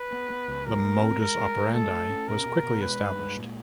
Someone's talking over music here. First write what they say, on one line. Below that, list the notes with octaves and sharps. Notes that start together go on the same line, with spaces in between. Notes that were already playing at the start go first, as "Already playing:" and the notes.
The modus operandi was quickly established.
Already playing: B4
B3
B3
C#2
F#3 A#4
A3
C4
G#3 A#4
G#3
G#3
A3 A4
A3
C#4
B2 A#4
B2
B2
G#3 B4
G2
G#3
A#2